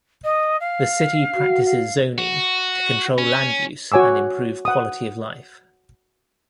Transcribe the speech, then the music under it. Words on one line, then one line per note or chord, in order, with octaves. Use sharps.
The city practices zoning to control land use and improve quality of life.
D#5
F5
F#4
F5
F#4
C#4
F#4 C#5 G#5 D6 E6
F#5 D#6